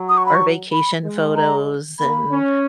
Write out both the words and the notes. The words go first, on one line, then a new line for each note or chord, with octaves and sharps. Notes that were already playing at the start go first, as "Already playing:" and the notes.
our vacation photos and
Already playing: F#3
D#6
C#6
B5
C#6
B5
G#3
A#5
A#3 B5
C#4